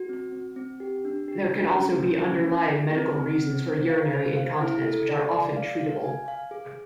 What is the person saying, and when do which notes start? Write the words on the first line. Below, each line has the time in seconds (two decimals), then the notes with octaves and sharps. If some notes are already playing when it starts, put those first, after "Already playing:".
There can also be underlying medical reasons for urinary incontinence which are often treatable.
Already playing: F#4
0.09 C4
0.32 C4
0.56 C4
0.80 G4
1.05 D4
1.28 G4
1.52 D4
1.75 C#4
1.99 A#3
2.23 C#4
2.47 A#3
2.70 G#4
2.95 C4
3.18 C4
3.42 C4
3.66 C5
3.90 F5
4.13 C5
4.37 F5
4.61 E4
4.84 A4
5.09 D5
5.32 D5
5.57 F5
5.80 F5
6.04 G#5
6.28 F5
6.51 G#4